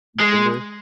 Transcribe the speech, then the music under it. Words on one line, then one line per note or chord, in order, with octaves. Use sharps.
you been there?
G#3